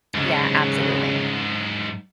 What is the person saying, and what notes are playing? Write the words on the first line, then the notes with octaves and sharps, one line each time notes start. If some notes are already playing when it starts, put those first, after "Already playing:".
Yeah, absolutely.
G#2 C#3 F#3